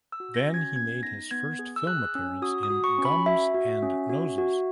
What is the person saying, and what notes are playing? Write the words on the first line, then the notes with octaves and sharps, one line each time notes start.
Then he made his first film appearance in "Gums and Noses".
E6
F#4
A#6
C#4
G#6
B3 G#6
D#4 A#6
B3 G#6
G#4
E6
G#4 F#6
C#4 E6
F#4 D#6
D#6
F#4
C#6
C#4
B5
F#4 E5
F#4
C#4
F#4
F#4